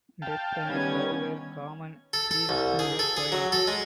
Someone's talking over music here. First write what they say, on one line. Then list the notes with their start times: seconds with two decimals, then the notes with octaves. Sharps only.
Death and love were common themes in her poems.
0.22 F5 G5 A5
0.69 D#3 G3 B3 C#4 G#6
2.13 A4
2.31 A4
2.49 C2
2.79 G#4
2.99 A4
3.17 G#4
3.32 F#3
3.52 A4
3.67 G#3